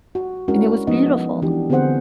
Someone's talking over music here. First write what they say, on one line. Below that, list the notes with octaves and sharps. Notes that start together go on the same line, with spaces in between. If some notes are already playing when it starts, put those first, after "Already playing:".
and it was beautiful,
F#4
G#3 C#4 D4 E4 F#4 A#4
F3 B3 D#4 D#5 F#5
E3 D4 G4
D3 B3 C4 G#4 C5 F#5